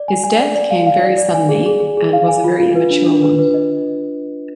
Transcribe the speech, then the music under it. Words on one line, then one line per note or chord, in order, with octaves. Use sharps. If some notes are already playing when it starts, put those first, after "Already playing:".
His death came very suddenly and was a very immature one.
Already playing: D5
G#5
G#5
D5
D5
F5
F5
D5
D5
G#5
G#4
G#4
G#4
G#4
F5
G#5
F4
F4
B4
D4
D4
B4
B4
D#5